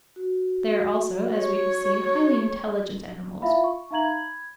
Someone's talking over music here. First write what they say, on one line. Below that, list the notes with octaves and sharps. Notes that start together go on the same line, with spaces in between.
They are also, as we have seen, highly intelligent animals.
F#4
C#5
E4 F4 E5 F5 B5
C#6
D#4 E5 F5 A#5 G#6 F#7
B5 G#6